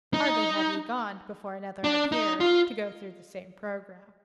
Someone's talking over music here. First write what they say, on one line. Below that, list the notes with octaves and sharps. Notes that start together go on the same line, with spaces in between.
Hardly had he gone before another appeared, to go through the same program.
D#4
D4
D#4
F4